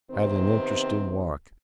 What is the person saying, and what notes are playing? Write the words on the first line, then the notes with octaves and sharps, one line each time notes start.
Had an interesting walk.
C3 D#3 B3 C4